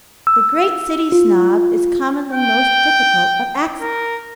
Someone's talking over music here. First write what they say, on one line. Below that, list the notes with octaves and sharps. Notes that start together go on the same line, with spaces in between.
The great City Snob is commonly most difficult of access.
E6
F4
G5
A#4